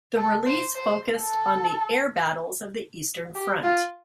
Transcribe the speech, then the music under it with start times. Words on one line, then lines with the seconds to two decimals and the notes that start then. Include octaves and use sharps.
The release focused on the air battles of the Eastern Front.
0.17 A4
0.46 C5
0.75 C5
1.19 A4
3.35 G4
3.63 F4